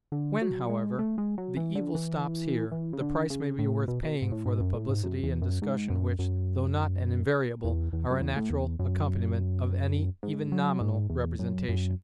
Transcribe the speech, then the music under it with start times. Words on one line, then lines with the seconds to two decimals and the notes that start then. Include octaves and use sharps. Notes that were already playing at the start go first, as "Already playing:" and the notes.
When, however, the evil stops here, the price may be worth paying for the publicity and discussion which, though not an invariable, are a natural accompaniment of any, even nominal, representation.
0.12 D3
0.42 F#3
0.70 G#3
0.99 A3
1.18 G#3
1.38 F#3
1.57 E3
1.75 D3
1.95 E3
2.72 E3
2.93 C#3
3.01 D3
3.30 C#3
3.59 A2
3.88 B2
4.03 B2
4.22 G#2
4.32 A2
4.46 G#2
4.60 F#2
4.74 A2
4.89 G#2
5.04 F#2
5.23 E2
5.42 F#2
5.62 G#2
5.90 F#2
6.19 F#2
7.64 E2
7.93 E2
8.10 F#2
8.21 E2
8.36 A2
8.50 E2
8.79 F#2
10.23 G#2
10.52 F#3
10.81 G#2
11.10 E2
11.39 F#2
11.69 F#2